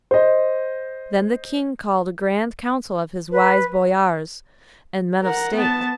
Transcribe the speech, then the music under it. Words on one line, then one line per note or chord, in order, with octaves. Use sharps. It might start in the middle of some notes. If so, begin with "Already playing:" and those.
Then the King called a grand council of his wise boyars and men of state.
C5 D#5
B4
A#4 F#5
B3 A5